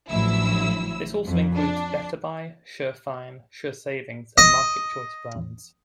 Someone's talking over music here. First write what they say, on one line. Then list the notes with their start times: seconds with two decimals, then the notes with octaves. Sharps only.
This also includes Better Buy, Shurfine, Shursavings, and Marketchoice brands.
0.10 A1 D2 F3 F#3 E4 E6
1.25 F2
1.56 D4
4.38 D#5